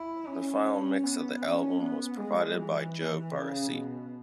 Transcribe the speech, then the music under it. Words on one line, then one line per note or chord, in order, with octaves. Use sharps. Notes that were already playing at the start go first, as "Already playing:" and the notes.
The final mix of the album was provided by Joe Barresi.
Already playing: E4
C#4
C#4
B3
C#4
B3
G#3
E3
C#3
B2